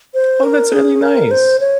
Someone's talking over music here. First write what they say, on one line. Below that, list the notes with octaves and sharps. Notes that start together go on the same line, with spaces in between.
Oh, that's really nice.
C5
A#4
G#4
A#4
C5
C#5